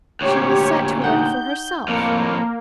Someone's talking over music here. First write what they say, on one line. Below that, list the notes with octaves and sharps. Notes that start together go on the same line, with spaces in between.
She will set to work for herself.
D2 A#2 G4 C#5
D#4 F#5 G5 G6
F2 A2 A#3